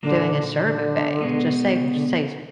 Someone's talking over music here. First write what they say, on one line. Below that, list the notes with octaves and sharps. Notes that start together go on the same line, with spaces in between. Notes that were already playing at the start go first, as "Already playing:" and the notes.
doing a survey, just say say
A#2 D3 F#3 A#3 D4
D3
B2 G#3 B3
C#3
D3